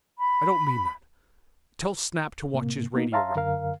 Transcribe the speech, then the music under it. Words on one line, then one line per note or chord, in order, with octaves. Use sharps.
I don't mean that! Tell Snap to watch his radio room.
B5
A2 C3 A#3
A#3 B3 D#4
C#5 E5 F5 A5 A#5 C6
F#2 D3 A#4 F5